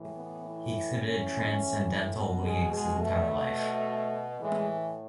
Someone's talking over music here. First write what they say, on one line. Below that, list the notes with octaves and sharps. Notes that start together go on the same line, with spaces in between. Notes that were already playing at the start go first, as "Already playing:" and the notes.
He exhibited transcendental leanings his entire life.
Already playing: A2 E3
B3
E4
A2 E3 C#4
B2 B3
G#3
G#3
A3
B2
A2 E3 G#3